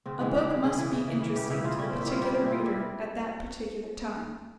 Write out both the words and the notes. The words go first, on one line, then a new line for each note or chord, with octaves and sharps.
A book must be interesting to the particular reader at that particular time.
C#3 C4
E3 G#3
E3 G4
G3 G#4
C#3 G#4
E3 G#4
C#3
E3
E3
C#3 G4
C#3 E4
C#3 F4
G3 C#4
A#2 C4
E4
G3 F4
G3 G4
G3 G#4
A#2 E4 F4
G3 E4